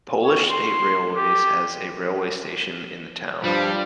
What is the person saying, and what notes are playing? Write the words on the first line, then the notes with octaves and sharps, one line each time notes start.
Polish State Railways has a railway station in the town.
C#5
C6
G4
G2 F3 G3